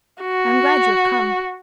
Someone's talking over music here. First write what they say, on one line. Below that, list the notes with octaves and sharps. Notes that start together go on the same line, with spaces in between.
"I am glad you have come."
F#4